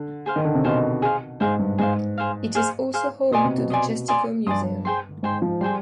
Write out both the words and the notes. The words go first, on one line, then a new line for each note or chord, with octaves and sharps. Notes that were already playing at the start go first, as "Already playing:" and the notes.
It is also home to the Chestico Museum.
Already playing: D3
G#4 C5 F5
D#3
D3
C3
B2 G#4 C5 F5
G#4 C5 F5
G#2 G#4 C5 F5
G2
G#2 G#4 C5 F5
G#4 C5 F5
G#4 C5 F5
G#4 C5 F5
B2 D5 G#5 C6 D#6
C3
B2
D5 G#5 C6 D#6
D5 G#5 C6 D#6
G2 D5 G#5 C6 D#6
G#4 C5 G5 C6
G#2 G#4 C5 G5 C6
F3
G3 G#4 C5 G5 C6